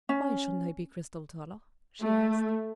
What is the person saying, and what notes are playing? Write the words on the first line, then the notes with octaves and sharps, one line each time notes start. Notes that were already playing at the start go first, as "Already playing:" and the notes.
"Why shouldn't I be Cristel Toller?" she asked.
C#4
A3